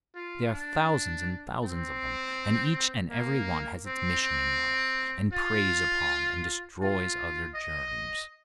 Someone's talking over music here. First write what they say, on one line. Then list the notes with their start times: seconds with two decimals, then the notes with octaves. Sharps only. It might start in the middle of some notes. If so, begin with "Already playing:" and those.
There are thousands and thousands of them, and each and every one has its mission in life, and preys upon and destroys other germs.
0.15 F4
0.53 D4
1.63 C4
3.10 A#3
3.86 C4
4.22 C4
5.33 F4
6.81 F4
7.55 D#5